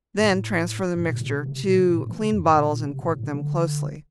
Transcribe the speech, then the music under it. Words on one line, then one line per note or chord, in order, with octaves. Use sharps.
Then transfer the mixture to clean bottles and cork them closely.
G2
A2
G2
A#2
A2
A#2
C3
C3
A#2
C3
A2
A2
E3
C3
F2
G2
A#2
A#2
C3
A2
A2
C3
D3